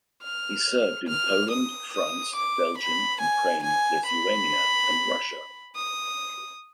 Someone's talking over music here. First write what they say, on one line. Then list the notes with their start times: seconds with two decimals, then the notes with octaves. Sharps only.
He served in Poland, France, Belgium, Ukraine, Lithuania and Russia.
0.23 F6
1.08 F6
1.50 D#6
1.93 D#6
2.36 D6
2.78 B5
3.21 G#5
3.63 G#5
4.06 B5
5.75 D#6